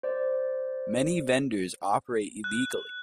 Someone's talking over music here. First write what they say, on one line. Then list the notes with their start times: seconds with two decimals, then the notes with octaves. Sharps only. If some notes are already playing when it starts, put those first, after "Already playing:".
Many vendors operate illegally.
0.03 C5 D5
2.44 F#6